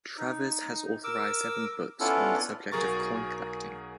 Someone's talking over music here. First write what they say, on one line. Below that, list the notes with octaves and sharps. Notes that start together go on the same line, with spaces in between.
Travers has authored seven books on the subject of coin collecting.
D#4
A#4 D6 E6
B3 C#4 D4 E4 F4 A4
B1 F#3 G#4 A#4 C#6 A6